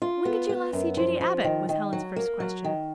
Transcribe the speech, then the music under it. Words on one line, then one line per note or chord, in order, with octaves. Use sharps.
"When did you last see Judy Abbott?" was Helen's first question.
F4
B3
B3
F#2
F3
F3
D#3
D#3
F#3
A#3
F#3
D#3